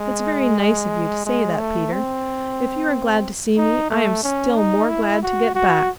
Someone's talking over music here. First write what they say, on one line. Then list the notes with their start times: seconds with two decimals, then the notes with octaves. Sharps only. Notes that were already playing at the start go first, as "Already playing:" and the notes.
"It's very nice of you to say that, Peter. If you are glad to see me I am still more glad to get back."
Already playing: G#3
1.25 G#3
1.58 A3
1.92 C4
3.57 D#4
3.90 A3
4.23 C#4
4.56 D#4
4.89 E4
5.23 F#4
5.55 F#4